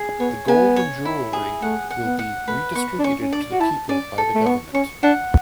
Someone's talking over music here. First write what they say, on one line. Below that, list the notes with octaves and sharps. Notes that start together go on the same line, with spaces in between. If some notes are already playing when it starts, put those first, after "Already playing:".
The gold and jewellery will be redistributed to the people by the government.
Already playing: G#4
B3 C#5
B3 G#5
C#5
E4
G#4
A3 F#5
F#5
B3
F#5
A3 B4
B3 C#6
D4
C#4 C#6
C#4
D4 D5
F#4
E4 A5
C#4 D5
A4
A3
B3 C#6
C#4 C#6
D4 F#5